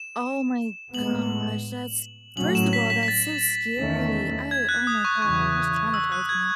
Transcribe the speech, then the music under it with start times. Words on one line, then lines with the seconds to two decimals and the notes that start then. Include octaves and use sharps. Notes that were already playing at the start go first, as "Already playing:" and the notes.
Oh my gosh. That's first of all, that's so scary. Oh oh my god. That's traumatizing me.
Already playing: E7
0.94 A2 G#3 B3 F#7
2.37 A2 F#3 C#4 F#7
2.55 E7
2.73 B6
2.90 B6
3.03 B6
3.08 A6
3.80 E2 D#3 A3 C#4
4.51 G#6
4.69 F#6
4.87 D#6
5.05 C#6
5.22 E2 C#3 E3 C#6
5.94 E6
6.12 F#6
6.29 G#6